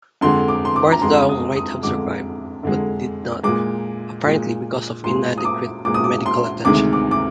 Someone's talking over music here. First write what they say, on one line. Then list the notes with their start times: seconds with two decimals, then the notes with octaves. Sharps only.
Barthou might have survived, but did not, apparently because of inadequate medical attention.
0.21 F2 D3 G#3 C6
0.48 D6
0.65 C6
0.76 D6
0.92 A#5
1.02 F2 D3 G#3 C6
1.29 D#6
1.56 D#6
1.83 F2 D3 G#3 D6
2.63 F2 D3 G#3
3.43 A#2 G#3 D6
4.25 A#2 G#3
5.04 A#2 G#3 C6
5.38 D#6
5.45 D6
5.85 A#2 G#3 D6
5.94 D#6
6.04 D6
6.26 C6
6.65 D2 C3 D#3 G#3 D6
6.93 D6
7.11 D6